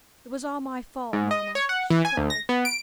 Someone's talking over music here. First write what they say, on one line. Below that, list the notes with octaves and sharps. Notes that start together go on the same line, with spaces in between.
"It was all my fault, Mamma!" she cried.
G#2
D#5
C#5
F#5
E3
G#5
D2
A#6
B3
D7